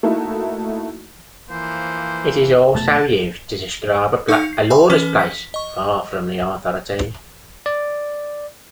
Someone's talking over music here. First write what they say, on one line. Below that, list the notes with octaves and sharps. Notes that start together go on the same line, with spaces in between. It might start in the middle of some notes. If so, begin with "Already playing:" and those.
It is also used to describe a lawless place far from the authorities.
A3 A#3 D#4 E4 F#4
E3 F3 A#3 C5
F1 B2 A3 A5
D#4 F5 C#6 G6 C#7 F7
C7
E5 G5 G#5 B5 C6
E3 C#4 B4 F6
B6
D#5 C#6
D5